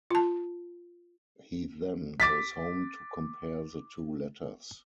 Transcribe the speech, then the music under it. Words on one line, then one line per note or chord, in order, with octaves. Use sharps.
He then goes home to compare the two letters.
F4 A5
D6 A6 B6